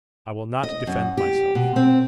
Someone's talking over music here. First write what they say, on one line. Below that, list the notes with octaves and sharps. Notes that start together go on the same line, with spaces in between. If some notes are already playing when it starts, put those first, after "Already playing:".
I will not defend myself.
D#5
F#2
G4
B2
C4